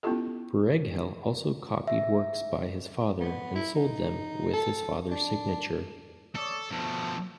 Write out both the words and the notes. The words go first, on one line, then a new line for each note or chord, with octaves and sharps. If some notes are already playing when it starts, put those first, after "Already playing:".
Brueghel also copied works by his father and sold them with his father's signature.
B3 C#4 E4 F4 G4 A4
E5
B3
E4
D#4
A4
D4
A4 C#5 D5 D#6
B2 F3 A3 A4